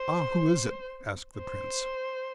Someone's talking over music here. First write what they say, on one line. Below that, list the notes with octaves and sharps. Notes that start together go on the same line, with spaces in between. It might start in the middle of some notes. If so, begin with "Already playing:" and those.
"Ah! who is it?" asked the Prince.
Already playing: C5
C5